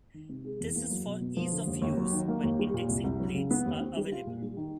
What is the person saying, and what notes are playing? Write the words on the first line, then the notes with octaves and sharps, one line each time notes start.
This is for ease of use when indexing plates are available.
D#3
C3
G#3
E2
A#3
F#3
B2
B2
F3
D3
D#2
D#2
F#3
D#3
A#3
D#2
G3
A#2
C2
C2
F#3
C#3
B3
D#2
C4
G3
F4
A#2
G3
D#3